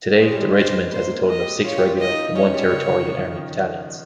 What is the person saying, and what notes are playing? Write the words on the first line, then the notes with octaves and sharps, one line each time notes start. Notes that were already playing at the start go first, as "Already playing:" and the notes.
Today, the regiment has a total of six regular and one Territorial Army battalions.
G#3 C#5
G3
G#3
C5
A#3 C5
A#3
D#5
G4
F4 C#5
G4
F4
D#5
D#4
D#4
C#4 C#5
G3
C#3
D#3
F3
D#3
C#3
D#3